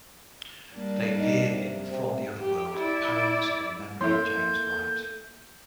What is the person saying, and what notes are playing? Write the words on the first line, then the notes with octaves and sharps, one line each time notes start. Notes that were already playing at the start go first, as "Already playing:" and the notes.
They appear in "From the Other World: Poems in Memory of James Wright".
G3 A#3 D4
D#4
C3
C3
G4
E4 D5
A#3 E4 A4 C#5 E5 C6 G6